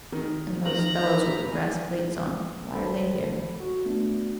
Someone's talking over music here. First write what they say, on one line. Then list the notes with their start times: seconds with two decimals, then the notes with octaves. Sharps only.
And those fellows with the brass plates on, why are they here?
0.12 D#3
0.66 D#3 A#5 F#7
1.02 B5
1.50 G#5
2.75 A1 A4 C5 B5
3.60 F#4
3.86 A3 B3 D4 F#4